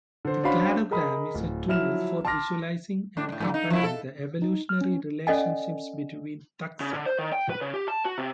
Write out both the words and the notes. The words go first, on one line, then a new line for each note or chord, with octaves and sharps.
The cladogram is a tool for visualizing and comparing the evolutionary relationships between taxa.
D3 C5
C#4 D4 F#4 C5 F5 B5
G#4 A#4 D#5 B5 D#6
D1
F3 F#3 E4 F6 E7
A5 C6 D6 F6 A#6
A2 D4
A2 G#3
G#2 B2 F#3
D#4
F3 E4
A4
D#4
F6
C#4
C#4 A4 D5 D#5 F#5 G#5
C#3
D3
C5
D#3
G5
B4
C#3
G4
A5
F#4
C3